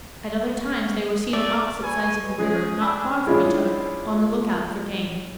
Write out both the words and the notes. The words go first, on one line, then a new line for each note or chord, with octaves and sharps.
At other times they were seen at opposite sides of the river, not far from each other, on the look out for game.
A3 D5
B4 G#5 C#6
F3 C#4 G#4 C#5
D4 G#5 B5 E6
G#3 C#4 D4 E4 F4 G#4